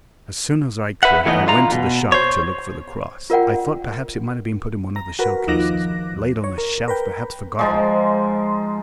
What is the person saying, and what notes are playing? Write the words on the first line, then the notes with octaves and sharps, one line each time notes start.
As soon as I could, I went to the shop to look for the cross. I thought perhaps it might have been put in one of the showcases, or laid on the shelf, perhaps forgotten.
B4 E5 F#5
A2 E3 B3 C#4 D#4
D3 F4 A#5
B2
C5 C#5
F4 A#4 D5 F#5 G5
A#5
F#4 A#4 B4
D#2 D#3 F3 D6 F#6 A#6
C#5
A#4
A#4 B4 G5
G#2 F3 G#3